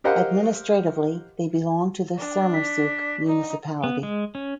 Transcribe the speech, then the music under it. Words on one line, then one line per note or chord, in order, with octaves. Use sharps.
Administratively they belong to the Sermersooq municipality.
G4 A#4 C5 D#5 F5 F#5
D4
B6
D#4
B3
G#3
C#4